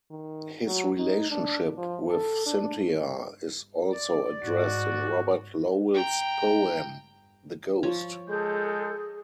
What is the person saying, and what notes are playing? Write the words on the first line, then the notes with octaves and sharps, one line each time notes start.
His relationship with Cynthia is also addressed in Robert Lowell's poem, The Ghost.
D#3
F#3
D#4
D4
F3
A4
D4
D5
G#2 F#4
G5 A#5
F3 C#5
G#3 G#4 A4 G6